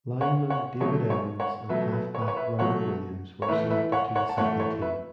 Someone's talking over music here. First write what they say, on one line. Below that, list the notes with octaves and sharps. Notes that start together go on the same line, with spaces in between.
Lineman David Evans and halfback Robert Williams were selected to the second team.
C#5 F#5
C#5 F#5
B2 F#3 A3 C#5
C#5
C#5 F#5
B2 F#3 A3 B4 E5
B4
C#5
B4
C#5
B4 E5
B2 F#3 A3 C#5 F#5
C#5
A2 E3 A3 B4 E5
B4 E5
C#5 F#5
C#5 F#5
A5
A2 E3 A3 C#5 F#5
C#5
B4 E5